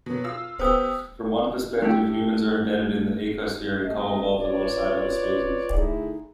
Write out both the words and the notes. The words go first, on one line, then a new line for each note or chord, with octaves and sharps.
From one perspective, humans are embedded in the ecosphere and co-evolved alongside other species.
B2 F#3
F4 E6
B3 G4 C5 D#6 E6
A3 D4 E4 G4 F#5 G5
C3 G3 A3 D#5
F4 B4 C#5 D5
D3 A3 D#4 E4 G#4